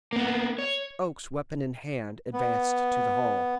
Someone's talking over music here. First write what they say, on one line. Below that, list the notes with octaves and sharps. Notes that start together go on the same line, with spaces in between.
Oakes, weapon in hand, advanced to the hall.
A#3 B3
C#5
B3